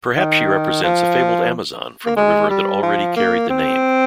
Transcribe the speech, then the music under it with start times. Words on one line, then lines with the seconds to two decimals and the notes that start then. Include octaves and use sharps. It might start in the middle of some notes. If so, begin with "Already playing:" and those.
Perhaps she represents a fabled Amazon from the river that already carried the name.
0.17 D#3
0.83 F3
2.06 A#3
2.16 G#3
2.50 G3
2.83 F3
3.16 A#3
3.50 C4